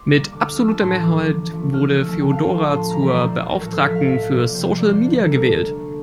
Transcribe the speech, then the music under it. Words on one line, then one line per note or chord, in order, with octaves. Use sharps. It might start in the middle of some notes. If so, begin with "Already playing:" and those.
Mit absoluter Mehrheit wurde Feodora zur Beauftragten für Social Media gewählt.
Already playing: C6 D6
G3 A#3
D3 D6
F6
F3 A3 E6
A5
A2 C6
E3 A#3 D6
D3
F3 A3
D3 F6
F3 A3 E6
A5
D3 G5
F5
F3 A3 A5
A5
A2 C6
E3 G3 A#3 A#5
E5
A#2 D5
C5
F3 A3 C5
A#4
A2 A4
C5
F3 A3 E5
F5
A2 E5
F3 A#3 D5
C3 C5
C5
G3 A#3 D5
C5
D3 D5
C5
G3 A#3 A4
A#4
D3
A3